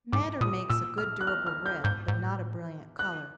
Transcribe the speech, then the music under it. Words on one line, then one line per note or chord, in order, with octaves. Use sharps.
Madder makes a good durable red, but not a brilliant color.
G#2 D6
A#2 D#6
A#2 E6
F6
F#6
F6
F6
G6
G#2 G6
G#2
A2
F#6